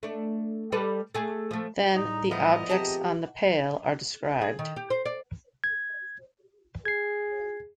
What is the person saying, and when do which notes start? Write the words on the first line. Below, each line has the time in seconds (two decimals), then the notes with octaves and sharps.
Then the objects on the pale are described.
0.03 A3 D4
0.72 G3 A4 B4
1.15 A3 G#4
1.51 F3 A3
1.95 A2 G3 D#4 A#5
2.31 F3 A3 B3 D#5
2.69 C4 G4 G#4 A5 A#5
4.41 G#4
4.59 D#3
4.76 G4
4.90 C5
5.05 D5
5.64 G#6
6.85 G#4 G#6 C7